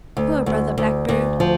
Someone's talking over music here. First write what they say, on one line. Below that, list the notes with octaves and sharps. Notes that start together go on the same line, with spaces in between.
Poor Brother Blackbird!
D2
D2
D2
D2
F3